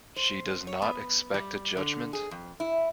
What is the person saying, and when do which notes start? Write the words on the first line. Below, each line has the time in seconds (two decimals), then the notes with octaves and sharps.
She does not expect a judgment?
0.16 C5
0.67 C#5
0.82 B3
1.34 G3
1.77 D3
2.13 G#4
2.31 F2
2.60 E4